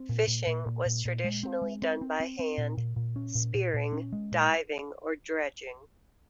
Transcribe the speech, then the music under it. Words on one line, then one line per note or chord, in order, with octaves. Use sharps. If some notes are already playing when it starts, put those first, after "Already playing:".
Fishing was traditionally done by hand, spearing, diving or dredging.
Already playing: C4
A#2
A#2
A#2
A#2
A#2
A#2
G#3
C4
G#3
C4
C4
C4
C4
A#2
A#2
A#2
C#4
A#2
A#2
A#2
C#4
G#3
A#2